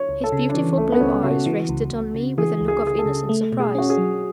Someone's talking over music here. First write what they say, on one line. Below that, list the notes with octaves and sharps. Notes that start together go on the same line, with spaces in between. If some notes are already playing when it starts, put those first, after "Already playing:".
His beautiful blue eyes rested on me with a look of innocent surprise.
Already playing: C#5
C#2
A4
C#3
D4
E3 C#4
C#2 A3
B3
C#2 C#4
C#3 F#4
E3
C#2
C#2
C#3
E3 G#4
C#2
G#4
C#2 G#4
A4
C#3
A3
B2
G#4
C#4 F#4
G#4
F#3